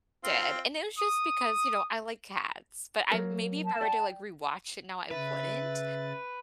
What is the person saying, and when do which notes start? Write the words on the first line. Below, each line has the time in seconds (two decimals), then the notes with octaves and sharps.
Did and it was just because, you know, I like cats, but I maybe if I were to, like, rewatch it now I wouldn't.
0.24 C4 F4
0.99 D#6
3.12 F#3 A#3 A#4
3.65 A5
3.81 D5 G5
5.11 C#3 B4 E5 A6